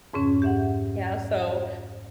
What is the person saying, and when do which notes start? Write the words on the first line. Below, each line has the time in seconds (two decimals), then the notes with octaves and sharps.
yeah, so
0.14 F2 G#2 C#3 C#4
0.42 G4 E5 F#5